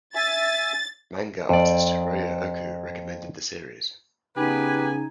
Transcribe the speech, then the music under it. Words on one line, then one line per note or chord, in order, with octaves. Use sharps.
Manga artist Hiroya Oku recommended the series.
E5 G#5 A6
F2 D5
C#3 B3 D#4 G4 B4 G#5